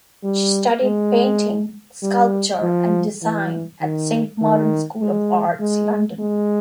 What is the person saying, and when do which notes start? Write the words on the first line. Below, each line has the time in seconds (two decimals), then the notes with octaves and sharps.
She studied painting, sculpture and design at Saint Martin School of Arts, London.
0.24 G3
0.83 G#3
2.03 G3
2.63 F3
3.22 E3
3.82 D#3
4.42 D#3
5.01 G#3
5.61 G#3
6.20 G#3